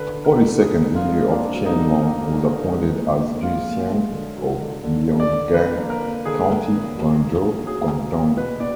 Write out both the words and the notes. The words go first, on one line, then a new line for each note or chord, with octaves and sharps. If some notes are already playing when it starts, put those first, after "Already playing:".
Forty-second year of Qianlong, was appointed as Zhixian of Yongan County, Guangzhou, Guangdong.
Already playing: D3 B4
D3
A#4
D3
D3 G#4
D3
F4
G#3
A#3 D4
F#3
D#4
D3
A#3
D3
D3
G#3
A#2
A#2
G#3 F4
A#2
G#3
D3
F#3
D3
D3
D3
D5
D3
D3 B4
A#3
A#4
A#3
D3 G#4
D3
A#3
F#3
A#3
F#3
F#3 G#4
A#3
A#2
B2 B4
B2 D5